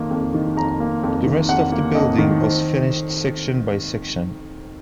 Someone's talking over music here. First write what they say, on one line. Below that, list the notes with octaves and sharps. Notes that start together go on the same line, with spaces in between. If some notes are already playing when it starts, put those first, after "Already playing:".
The rest of the building was finished section by section.
Already playing: F2 D#3 A#3
F2
D#3
F2 A#5
A#3
F2
D#3
F2 F#5
A#3
F2 D#5
D#3
C4